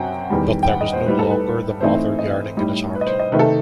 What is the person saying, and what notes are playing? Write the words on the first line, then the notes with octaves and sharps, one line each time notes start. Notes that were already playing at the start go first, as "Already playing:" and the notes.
But there was no longer the mother yearning in his heart.
Already playing: F#2 F#3 C4 F#5 G5
E2 D#3 G3
G5
F#5
D#5
C5
A2 G3 D#4 B4
A4
B4
A2 E3 A3 C4 D#4 C5
D#5
A2 G3 D#4
B4
D#5
C5
D#5
C3 D#3 A3 D#4 B4
A4